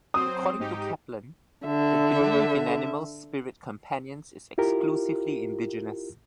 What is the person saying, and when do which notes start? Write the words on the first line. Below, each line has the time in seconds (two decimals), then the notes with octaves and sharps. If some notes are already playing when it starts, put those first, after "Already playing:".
According to Kaplan, the belief in animal spirit companions is exclusively indigenous.
0.14 F#3 C4 C5 D#6
0.60 G#2 D#4 G4
1.65 D3 E5
4.58 E4 F4 G4 A#4